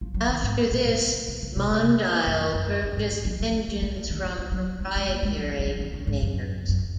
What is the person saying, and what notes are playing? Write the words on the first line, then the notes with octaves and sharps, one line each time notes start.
After this, Mondial purchased engines from proprietary makers.
F3
F#3
D#3
G#2
A#2
A#2
C3
C#3
F3
C#3
C3
C3
F#2
F#2
F#2
G#2
G#2
F3
F#3
F3
F#3
G#3
F3
D#3
F#3
F3
F#3
G#3
F#3
G#3
A#3
G#3
F#3
G#3
F#3
F3
D#3
C#3
G#2
F#2
F#2